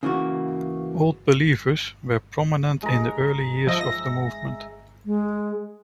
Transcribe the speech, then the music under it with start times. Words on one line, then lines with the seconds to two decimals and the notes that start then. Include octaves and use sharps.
Old Believers were prominent in the early years of the movement.
0.03 C#3 E3 A#3 F#4
2.83 G#3 A#5
3.67 F3 D#5 E5
3.81 A#6
5.04 G#3